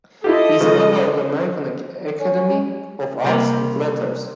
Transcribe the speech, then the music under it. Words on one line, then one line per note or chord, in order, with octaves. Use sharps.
He is a member of the American Academy of Arts and Letters.
E4 F4 G4 A4 D#5
C#3 F3 G#3
C#4
C3 G3 A#3